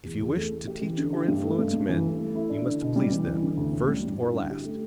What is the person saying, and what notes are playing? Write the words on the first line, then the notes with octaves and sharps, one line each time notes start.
If you wish to teach or influence men, you must please them, first or last.
E2
E2
A3
A3
G4
E3
D3
G4
G2
A3
G2
G2
E3
A3
A3
E4
D4
D3
B2
G3
E3
E3
D3
D2
A2
G3
G2
E4
D3
G4
A3